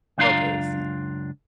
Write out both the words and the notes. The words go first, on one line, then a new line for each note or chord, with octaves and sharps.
Okay, I see.
C#2 F#2 D4 F4 F5 A#5